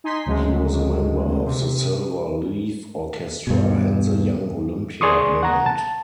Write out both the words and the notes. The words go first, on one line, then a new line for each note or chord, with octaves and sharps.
He was a member of the Silver Leaf Orchestra and the Young Olympia Band.
D#4 G#5 C6 B6
D2 C#3 F#3 G#3 A3
C3
G2 B2
G#4 D5 C6 C#6 D#6
F#5 A#5
A5